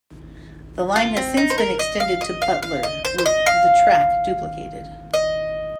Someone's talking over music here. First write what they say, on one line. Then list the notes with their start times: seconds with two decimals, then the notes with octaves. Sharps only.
The line has since been extended to Butler with the track duplicated.
0.96 F4
1.17 C4
1.37 D#4
1.50 C5
1.58 A#4
1.79 D#5
2.00 F5
2.21 D#5
2.42 F5
2.63 F5
2.83 D#5
3.05 C5
3.18 C5
3.26 D#5
3.46 F5
5.14 D#5